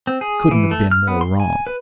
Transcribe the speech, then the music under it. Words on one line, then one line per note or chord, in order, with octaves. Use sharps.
He couldn't have been more wrong.
C4
G#4
E3
A3
F6
B3
C6
G#5
B4